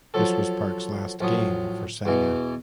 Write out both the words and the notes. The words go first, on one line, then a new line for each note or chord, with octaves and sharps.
This was Park's last game for Sanga.
F3 F#3 A4
A1 F3 F#3 D#6
E2 B2 E3